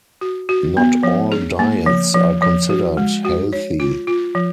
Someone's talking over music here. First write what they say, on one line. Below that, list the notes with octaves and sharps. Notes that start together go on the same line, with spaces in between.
Not all diets are considered healthy.
F#4
F#4
B3
F3
G#4
A#3
F3
F3
F3
F#4
G#3
F#4
C#5
F4
F4
F3